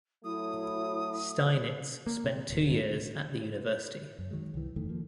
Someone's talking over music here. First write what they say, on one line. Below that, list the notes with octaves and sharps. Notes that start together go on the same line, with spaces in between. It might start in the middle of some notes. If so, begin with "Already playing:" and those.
Steinitz spent two years at the university.
F#3 A3 E4 D#6
A#3
C3
D1
G#2
F#2
D#3 F#3 G#3
C2 E3
G1 F2 D#3 A3
F3 A#3